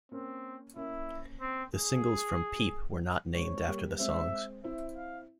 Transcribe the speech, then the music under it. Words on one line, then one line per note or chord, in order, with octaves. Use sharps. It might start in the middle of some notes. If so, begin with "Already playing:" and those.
The singles from "Peep" were not named after the songs.
A#3 C4 C#4
A#3 C#4 E4
C4
G#4
G#3 C4 C#5
G3 A#3
G#3 C4 E5
C4 E4 E5
F5